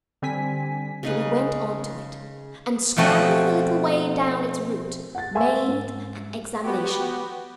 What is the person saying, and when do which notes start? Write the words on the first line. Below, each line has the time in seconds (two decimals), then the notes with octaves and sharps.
So we went on to it, and scrambling a little way down its root, made an examination.
0.22 D3 G3 C4 G#5 B6
1.03 C#3 D#4 B4
2.97 B2 F3 A3 C4 F#4 G#5
5.15 F#5 A6
5.35 A#4 E5 G#5 C6 C#6 E6
5.68 G#2
6.63 B3 F#4 G4